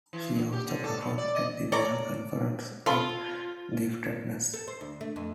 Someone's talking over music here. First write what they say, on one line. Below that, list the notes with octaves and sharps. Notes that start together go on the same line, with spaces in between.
She also performed at the World Conference on Giftedness.
E3
D3
G4
D3
A4
A#2
D5
D#5
A4 C#5 D5 A#5
F3 F4 A4 F5 B5 C6
A4
C5
D2
A3
F2